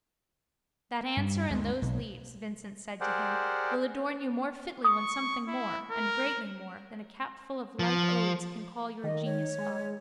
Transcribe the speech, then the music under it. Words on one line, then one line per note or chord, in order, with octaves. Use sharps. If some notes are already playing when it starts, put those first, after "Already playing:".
That answer and those leaves, Vincent said to him, will adorn you more fitly when something more, and greatly more, than a capful of light odes can call your genius father.
G2
D2 G#3
B1
G4 G#4 A#4 C5 D5 F#5
C#6 D#6
E4
A#4
F3
D#3 D#5
C#5
G#3